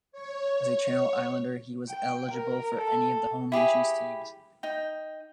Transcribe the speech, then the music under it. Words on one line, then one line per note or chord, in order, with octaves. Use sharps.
As a Channel Islander, he was eligible for any of the Home Nations teams.
C#5
G5
A#4
A4
E4 G4 G#4 B5
D#4 G5